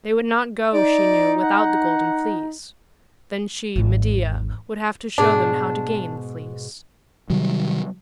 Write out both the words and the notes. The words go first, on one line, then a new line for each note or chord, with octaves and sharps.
They would not go, she knew, without the Golden Fleece; then she, Medea, would have to show them how to gain the Fleece.
D#4 D5
F#5
G#1 E2
G#2 B2 D4 G#4
C3 D#3 F#3 G3